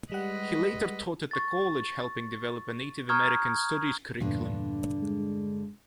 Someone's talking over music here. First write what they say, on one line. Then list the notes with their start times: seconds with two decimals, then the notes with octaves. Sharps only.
He later taught at the college, helping develop a Native American studies curriculum.
0.12 G3 G#3 G4 B4 D#5 F#5
1.31 C#6 A6
3.09 A#5 C#6 D#6 F6 G6 G#6
4.20 E2 G2 A#2 D3
5.02 G#3